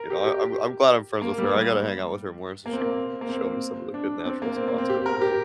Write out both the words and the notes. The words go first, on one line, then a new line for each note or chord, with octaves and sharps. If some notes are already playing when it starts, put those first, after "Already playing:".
you know, I'm I'm glad I'm friends with her. I gotta hang out with her more so she can show me some of the good natural spots around here.
Already playing: A#4
G4
G4
G4
A#3
G3
A#3
C4
A#3
A#3
C4
D4
C4
A#3
C4
A#3
C4
G4
A#4
G4